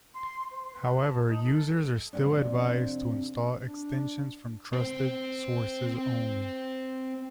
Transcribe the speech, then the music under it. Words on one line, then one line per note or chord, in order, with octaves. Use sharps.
However, users are still advised to install extensions from trusted sources only.
C6
C5
B4
A5
D#4
A4
F2 C3 A#3 C#4 D4
D4
C4 C5